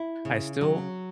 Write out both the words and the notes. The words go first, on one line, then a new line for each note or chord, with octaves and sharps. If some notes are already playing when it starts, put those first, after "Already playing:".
I still
Already playing: E4
C#3
F#3